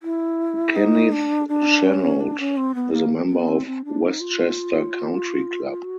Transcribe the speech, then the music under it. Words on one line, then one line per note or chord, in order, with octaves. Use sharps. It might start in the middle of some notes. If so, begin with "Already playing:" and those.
Kenneth Chenault is a member of Westchester Country Club.
E4
D#4
D4
D4
C#4
D4
C#4
C4
B3
A#3
B3
C4
C4
D4
D#4
F4
F#4